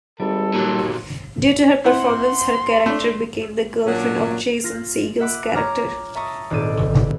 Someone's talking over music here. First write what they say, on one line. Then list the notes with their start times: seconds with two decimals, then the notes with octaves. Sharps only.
Due to her performance, her character became the girlfriend of Jason Segel's character.
0.20 G#1 G3 A4
0.54 D#2 A#2 F#3
1.84 C4 E4 F#5 C6
2.86 A3 D4
3.85 A#2 F#3 C#4 D4
4.64 F4 A#6
5.20 E5 F#5 B5 D6
5.54 C#5 A#5 D6 F6
6.15 E5 A5 A#5 C#6 D#6 A#6
6.51 D#1 G#2 C4 A4 D5 D#7